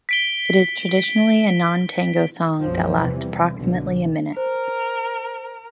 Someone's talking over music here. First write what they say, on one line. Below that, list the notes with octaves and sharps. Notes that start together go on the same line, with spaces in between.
It is traditionally a non-tango song that lasts approximately a minute.
B6 D7 G7
B1 F#2 F3
E2 C3 E3 G3
B1 D3
A#4 C5